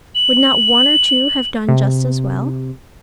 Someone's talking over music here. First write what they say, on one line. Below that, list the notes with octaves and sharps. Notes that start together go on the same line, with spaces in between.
Would not one or two have done just as well?
F#7
C3